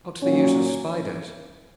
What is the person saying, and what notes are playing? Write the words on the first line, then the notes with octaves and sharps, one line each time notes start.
What's the use of spiders?
A#2 F#3 A#3 C#4